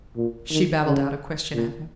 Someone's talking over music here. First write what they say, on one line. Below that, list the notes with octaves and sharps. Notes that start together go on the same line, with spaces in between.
She babbled out a question at him.
A#2
D#3
C#3
A#2